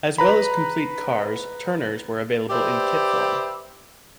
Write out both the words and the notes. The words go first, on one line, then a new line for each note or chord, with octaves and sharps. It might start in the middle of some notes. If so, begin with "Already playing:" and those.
As well as complete cars, Turners were available in kit form.
B4 A#5 B5
G4 B4 C5 D5 E5